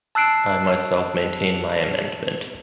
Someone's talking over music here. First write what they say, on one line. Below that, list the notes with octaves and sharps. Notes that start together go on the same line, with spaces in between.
I myself maintain my amendment.
A5 E6 F#6 C7 D7